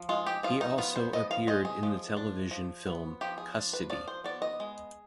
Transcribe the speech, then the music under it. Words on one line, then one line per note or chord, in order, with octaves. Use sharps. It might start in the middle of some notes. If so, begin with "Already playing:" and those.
He also appeared in the television film "Custody".
Already playing: F3
G#3 F4
G4
F3 F4
D#4
B3 F4
C5
F3 D#5
F5
G#3 D#5
G#4
F3
D4
F3
B3
F3 G4
G#4
D4
B4
F3 D5
C5
B3 D5
D#5
G#3